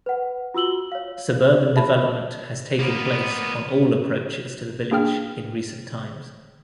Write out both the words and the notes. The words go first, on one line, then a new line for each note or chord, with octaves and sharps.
Suburban development has taken place on all approaches to the village in recent times.
B4 F#5
F4 F#4 E6 F#7 G7
C#5 F5
E5 A5 B5
A#3 B3
A#3 D4 G#4 G5 F6